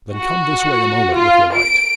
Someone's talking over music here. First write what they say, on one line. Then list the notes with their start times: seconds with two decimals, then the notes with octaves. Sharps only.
'Then come this way a moment with your light.'
0.17 F#4
1.16 F4
1.55 D7